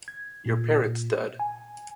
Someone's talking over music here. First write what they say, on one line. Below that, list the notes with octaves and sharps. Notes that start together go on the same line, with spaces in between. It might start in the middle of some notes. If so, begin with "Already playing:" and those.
Your parrot's dead.
G#6
A#2
G#5